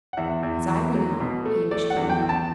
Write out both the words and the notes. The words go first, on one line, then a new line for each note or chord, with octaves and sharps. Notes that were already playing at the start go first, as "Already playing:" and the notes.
As I went out, Hamish came in.
F#5
E2 E5
E2
E2
F#3
B2
A3
A3 D5
F#5
E2
G5
E2
A5